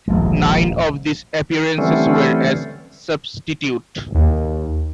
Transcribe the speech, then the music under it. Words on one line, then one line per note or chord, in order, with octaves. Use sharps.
Nine of these appearances were as substitute.
D#1 A#1 G#3
D3 E3 G3 A3 C4 C#4
D#2